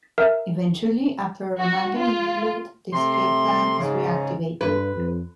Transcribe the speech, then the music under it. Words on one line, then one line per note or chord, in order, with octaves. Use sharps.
Eventually, after a romantic interlude the escape plan is reactivated.
A#4 E5
F#4
F4
C3 A3 C6
G#2 C#3
G2 B4
F2